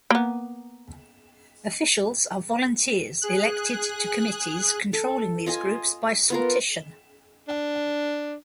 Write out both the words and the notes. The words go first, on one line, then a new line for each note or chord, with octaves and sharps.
Officials are volunteers elected to committees controlling these groups by sortition.
A#3 B3
G#4 F#6
A4
F4 D#5 G#5
B3 F4 A#4
D4